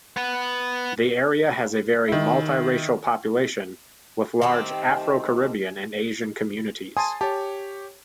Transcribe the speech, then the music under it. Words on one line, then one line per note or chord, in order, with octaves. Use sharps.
The area has a very multi-racial population, with large Afro-Caribbean and Asian communities.
B3 B4
D#3 E4
D#3 A3 C4 G4
G#5 A5 C6 D#6
G4 C#5 A5